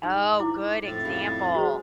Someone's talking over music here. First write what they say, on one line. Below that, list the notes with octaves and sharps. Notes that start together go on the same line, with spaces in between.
Oh, good example.
G#2
E4 D6
F2 A2 A6
C#3 G3
F#4 G#4 C5